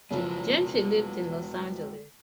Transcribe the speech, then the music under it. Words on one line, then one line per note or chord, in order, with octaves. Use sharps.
Gentry lives in Los Angeles.
F#1 F3 G#3 E4 F#4